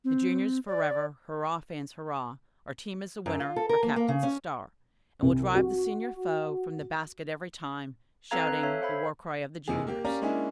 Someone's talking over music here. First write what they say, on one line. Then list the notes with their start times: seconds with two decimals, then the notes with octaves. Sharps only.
"The juniors forever, hurrah, fans, hurrah! Our team is a winner, our captain's a star. And we'll drive the senior foe, from the basket every time. Shouting the war cry of the juniors."
0.04 C4
0.67 D5
3.26 F#2
3.40 F4
3.56 A4
3.69 A#4
3.83 A#3
3.96 A#3
4.08 C#3
4.23 C#4
5.22 C2
5.55 F#4
8.31 C4 A4 B4 F5 A#5 G#6
8.47 F#6
8.63 A4 C#5 E5 F5
8.82 C5 F5 B5 G#6
9.68 F#1 C3 D#4 G#4
9.87 A#3 G4
10.05 C#4 G4 A#4 D5 F5 A#5
10.22 G#3 A#3 C#4 D4 E4 G#4